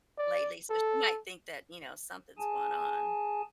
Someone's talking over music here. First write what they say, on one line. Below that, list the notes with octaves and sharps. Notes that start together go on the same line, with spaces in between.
lately, so she might think that, you know, something's going on.
D5
A4
G#4 G#5 A5